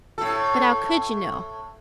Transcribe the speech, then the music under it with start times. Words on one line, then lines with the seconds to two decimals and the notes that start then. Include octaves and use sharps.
"But 'ow COULD you know?"
0.18 A2 A4